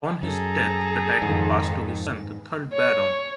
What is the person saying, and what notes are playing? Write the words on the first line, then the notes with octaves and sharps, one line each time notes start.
On his death, the title passed to his son, the third Baron.
F#2 G#4 A4 A#5
F2 G#2 D#3
C#5